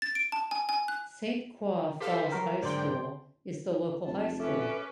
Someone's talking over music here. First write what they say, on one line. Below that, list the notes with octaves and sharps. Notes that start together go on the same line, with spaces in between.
Saint Croix Falls High School is the local high school.
A6
D7
A5
G#5
G#5
F#6
G4 A4 B4 C5 F5
F#3 F#4 A#4
G#2 D3 C5 D5 G5 C6
F1 A5
C#4 A4 B4 E5 D6